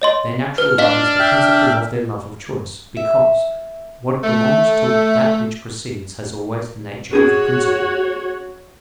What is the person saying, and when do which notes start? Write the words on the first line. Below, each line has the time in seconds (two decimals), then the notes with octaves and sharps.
Their natural love is the principle of their love of choice; because, what belongs to that which precedes, has always the nature of a principle.
0.02 C#5 D#5 C6
0.58 B4 F6
0.78 D4 D#5 F5 B6
1.19 E5 G5
2.97 E5
4.24 A3
7.13 C#4 D#4 F#4 G#4 C#5